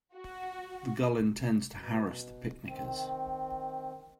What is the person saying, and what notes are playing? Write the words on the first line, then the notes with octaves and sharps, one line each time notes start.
The gull intends to harass the picnickers.
F#4
B2
D#3 C4